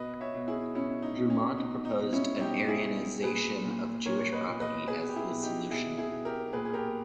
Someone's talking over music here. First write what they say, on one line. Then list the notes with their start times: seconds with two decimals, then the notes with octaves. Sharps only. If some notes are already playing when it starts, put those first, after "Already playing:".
Drumont proposed an aryanization of Jewish property as the solution.
Already playing: B2 B4 D#5
0.21 C#5 E5
0.34 B2
0.48 E4 G#4
0.75 B2 C#4 E4
1.02 D#4
1.16 B2
1.30 C#4
1.57 B2 D#4
1.85 D#4
1.99 B2
2.13 C#4 E4
2.40 B2 D#4 G4
2.68 E4 G#4
2.81 B2
3.22 A#2 G#4 B4
3.64 A#2
4.06 A#2 A#4 C#5
4.33 B4 D#5
4.47 A#2
4.60 B4 D#5
4.88 B2 G#4 B4
5.09 G4
5.15 E4 G#4
5.29 B2
5.43 D#4 G4
5.71 B2 E4 G#4
5.98 E4 G#4
6.12 B2
6.25 G4 A#4
6.53 A#2 G#4 B4
6.65 G#4
6.73 G4 A#4